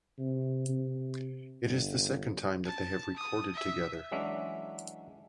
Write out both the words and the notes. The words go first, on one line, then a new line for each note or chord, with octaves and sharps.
It is the second time that they have recorded together.
C3
C3
G1
A5
D#6
E5
E3 F#3 G#3 C#4 D4 E5